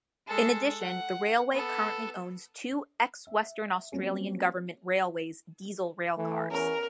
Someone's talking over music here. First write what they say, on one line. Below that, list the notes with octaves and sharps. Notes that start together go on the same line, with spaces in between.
In addition, the railway currently owns two ex-Western Australian Government Railways diesel railcars.
G#3 A4
F#5
B3 A4
E5
F#3 G3 A#3 C4 C#4
E3 A3
E2 C#4 A#4